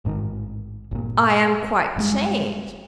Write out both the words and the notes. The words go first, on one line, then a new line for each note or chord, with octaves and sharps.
I am quite changed.
A1 G#2 B2 D#3
G1 A#2
G1 G3 G#3